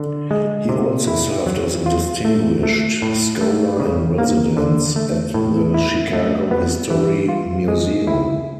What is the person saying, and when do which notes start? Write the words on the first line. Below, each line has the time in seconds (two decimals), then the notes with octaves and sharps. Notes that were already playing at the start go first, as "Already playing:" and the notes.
He also served as a distinguished scholar-in-residence at the Chicago History Museum.
Already playing: D3
0.31 G#3
0.69 C3
1.07 E4
1.46 F#3
1.86 F4
2.25 A3
2.63 A3
3.02 A2
3.41 A3
3.80 C#3
4.18 A#3
4.57 D3
4.96 A3
5.34 A2
5.74 E4
6.13 A3
6.51 B3
6.90 E3
7.29 F4
7.68 G#3
8.07 E4